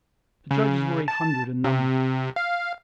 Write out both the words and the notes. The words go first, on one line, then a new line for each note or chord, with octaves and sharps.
The judges were a hundred in number.
C#3
A5
C3
F5